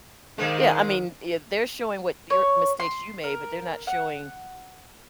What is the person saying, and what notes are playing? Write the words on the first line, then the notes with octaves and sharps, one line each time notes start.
Yeah, I mean, if they're showing what your mistakes you made, but they're not showing
D#3 G#3 A#3 C4
C#5
C6
A#4
F#5